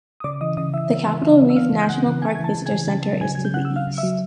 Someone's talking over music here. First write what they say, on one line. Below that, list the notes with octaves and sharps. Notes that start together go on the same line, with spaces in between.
The Capitol Reef National Park Visitors Center is to the east.
D#6
C#3 D5 D6
E3 D#5 D#6
C#3 D#5 D#6
E3 E5 E6
C#3
E3
C#3
E3
E6
C#3 F5 F6
E3
G6
C#3 F#5 F#6
E3
C#3 G#5 G#6
G#6
E3
A5 A6
C#3
G#5 G#6
E3
C#3 A5 A6
F#3
C#3 G#5 G#6
F#3 G#6
G6
C#3 F#5 F#6
E6
F#3
F5 F6
C#3
E5 E6
F#3